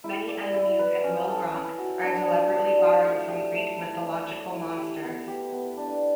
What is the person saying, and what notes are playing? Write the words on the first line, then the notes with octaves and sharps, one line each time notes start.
Many enemies in Will Rock are deliberately borrowed from Greek mythological monsters.
E4
D5
E4
B4
C#4
A4
C#4
F#4
D4
C#5
D4
F#4
A3
G4
A3
E4
E5
C#5
E4
G4
B3
G4
B3
D4